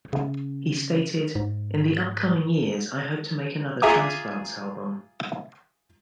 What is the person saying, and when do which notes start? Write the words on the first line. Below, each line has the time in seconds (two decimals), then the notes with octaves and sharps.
He stated: In the upcoming years, I hope to make another Transplants album.
0.13 C#3
1.35 G#2
3.82 F4 G#4 E5 G#5 A#5 D6